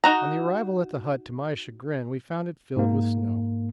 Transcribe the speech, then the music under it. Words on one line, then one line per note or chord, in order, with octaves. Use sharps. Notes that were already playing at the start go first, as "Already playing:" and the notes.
On the arrival at the hut to my chagrin we found it filled with snow.
D#4 F#4 A#5
G#2 A#3